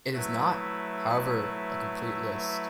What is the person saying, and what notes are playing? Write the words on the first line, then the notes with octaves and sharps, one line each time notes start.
It is not, however, a complete list.
F#3 A3 E4 B4